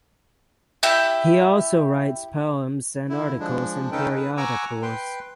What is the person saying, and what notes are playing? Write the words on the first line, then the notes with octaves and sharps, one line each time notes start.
He also writes poems and articles in periodicals.
E4 G4 E5
D3 E4
F3 G#3 D4
C#3 C#4 D#4 A4 B4 G5
B4
F#5 G#5 A#5 C#6 D6 E6
B4 G5 C6